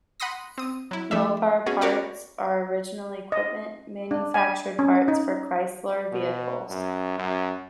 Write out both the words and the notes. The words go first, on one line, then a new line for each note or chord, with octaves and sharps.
Mopar parts are original equipment manufactured parts for Chrysler vehicles.
F#5 B5 C6 D#6 A#6
C4 D#6
F#3 E4
F3 A3 D4 E5
B3 C#4 F#4 G#4
F#4 A#4 C#5 D5 F#5
D#5
D4
G#5
C#4
D#4
B2
F#2
F#2